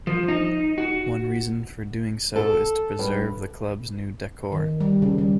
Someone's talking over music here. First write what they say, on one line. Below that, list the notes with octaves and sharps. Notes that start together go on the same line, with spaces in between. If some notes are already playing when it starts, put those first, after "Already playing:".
One reason for doing so is to preserve the club's new decor.
F3
D#4
F#4
A4
G2
D#3
G3
C#3
G3